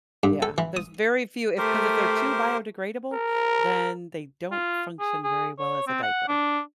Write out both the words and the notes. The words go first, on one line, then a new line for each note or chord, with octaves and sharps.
Yeah, there's very few if 'cause if they're too biodegradable, then they don't function very well as a diaper.
G2
A4
E3
D#6
A3 G4 A#4 C5
A#4
F4
G#4
G#4
C#5
C4
F#5
D4